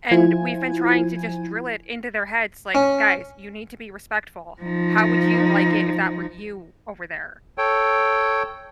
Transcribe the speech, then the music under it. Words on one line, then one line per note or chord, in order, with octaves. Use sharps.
And we've been trying to just drill it into their heads, like, "Guys, you need to be respectful. How would you like it if that were you over there?"
F3 E4 F4 C5 G#5 G#6
C#4
F3 D#4
A4 C#5 G5